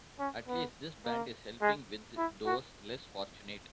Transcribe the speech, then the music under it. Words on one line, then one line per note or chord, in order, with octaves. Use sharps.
At least this band is helping with those less fortunate.
C#4
B3
A#3
G#3
E4
F#4